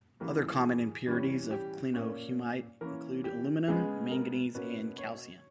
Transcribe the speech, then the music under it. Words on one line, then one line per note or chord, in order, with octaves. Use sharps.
Other common impurities of clinohumite include aluminium, manganese, and calcium.
C#3 E3 G3 A#3 A#4
G#4
E3 G3 C#4
G4
A#2 A#3 C#4
E3 A#3 C#4 A#4
G4
C#3 G#3 B3 G#4
A#4
B2 A#3 C#4 B4
C#5